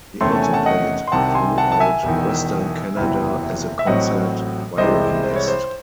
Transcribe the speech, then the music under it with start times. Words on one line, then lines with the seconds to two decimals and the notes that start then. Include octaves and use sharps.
He also played throughout Western Canada as a concert violinist.
0.21 E2 C3 D#3 A3 C#4 C6
0.32 A5
0.42 G#5
0.53 F#5 A5
0.66 D#5 F#5
1.07 C6
1.12 C2 C3 D#3 F#5 A5
1.35 G#5 C6
1.58 F#5 A5
1.72 A5
1.80 E5 G#5
2.03 E1 E2 D#3
2.95 F#1 E2 C3 E3 C4
3.79 E5
3.87 A1 A2 F#3 C4 D#5 F#5
4.77 C2 C3 E3 G#3 C5 D#5
5.23 C5
5.36 C#5
5.48 C5